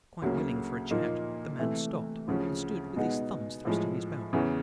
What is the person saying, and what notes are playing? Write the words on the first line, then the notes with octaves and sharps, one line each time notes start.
Quite willing for a chat, the man stopped, and stood with his thumbs thrust in his belt.
D2 C#3 F#3 A#3
A#2 F3 A#3 D#4
C3 E3 A3
D2 C#3 F3
B2 G#3 B3 D#4
A2 F3 G#3
E2 C#3 E3